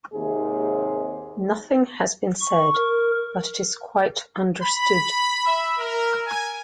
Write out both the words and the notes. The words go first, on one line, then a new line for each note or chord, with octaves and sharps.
Nothing has been said, but it is quite understood.
D#2 G#2 C3 G#4
C#6
A#4
B5
E5
A#4
G#5